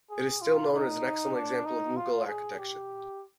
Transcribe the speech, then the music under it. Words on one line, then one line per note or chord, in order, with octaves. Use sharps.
It is still known as an excellent example of Mughal architecture.
G#4
F4
D#4
D4
D#4
F4
G#4
G4